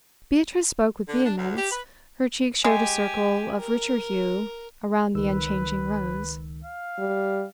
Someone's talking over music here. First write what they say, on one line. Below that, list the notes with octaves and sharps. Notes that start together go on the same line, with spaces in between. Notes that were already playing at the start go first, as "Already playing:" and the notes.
Beatrice spoke with vehemence; her cheeks showed a circle of richer hue around the unchanging rose.
D3
D4
D2
G4
B4
G#3 G4 G#5
A#4
C#2 D#3 B4 E6
F5
G3